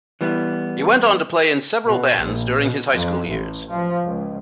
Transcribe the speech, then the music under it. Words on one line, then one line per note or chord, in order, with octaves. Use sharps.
He went on to play in several bands during his high school years.
E3 G3 B3
B2
A#1
B2
F2
A1
F3
C#2